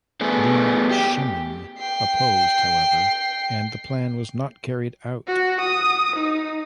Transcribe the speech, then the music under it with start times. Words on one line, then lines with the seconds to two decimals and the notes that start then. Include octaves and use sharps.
Li Shimin opposed, however, and the plan was not carried out.
0.21 A3 B3 G#4
0.91 G4
1.79 G5 C7
5.27 F#4
5.61 D#6
6.16 D#4